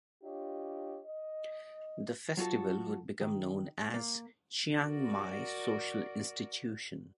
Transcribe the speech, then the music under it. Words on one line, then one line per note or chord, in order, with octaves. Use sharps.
The festival would become known as the Chiang Mai Social Institution.
D4 F4 G4 C#5 D#5
D#5
F#3 F4 F#4 A4
D#3
A#3
F#4 A#4 D5